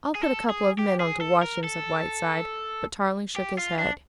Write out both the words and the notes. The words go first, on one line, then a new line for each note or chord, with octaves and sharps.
"I'll put a couple of men on to watch him," said Whiteside, but Tarling shook his head.
G#4
A4
G#4
G4
G#4
A4
A#4
A4
G4
F4
D4